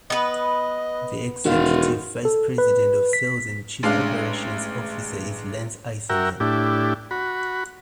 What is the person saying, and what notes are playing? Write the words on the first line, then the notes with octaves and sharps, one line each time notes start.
The Executive Vice President of Sales and Chief Operations Officer is Lance Iserman.
B3 B4 D#5
E1 D#3 F#4 F5
A4
B4
B6
A1 G#3 D4 F5
F#4 A#4 E5 G5
A2 D4 E4 G4
F#4 B5